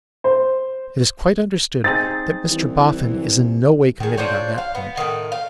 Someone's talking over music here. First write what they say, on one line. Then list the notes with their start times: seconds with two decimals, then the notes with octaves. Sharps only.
It is quite understood that Mr Boffin is in no way committed on that point.
0.24 C5
1.84 C4 D#4 G#4 A6
2.51 C2 E3
4.00 D#3 G#4
4.18 D4 F4 C5 C#5
4.58 F5
4.75 B3
4.97 A2 D#3
5.32 F5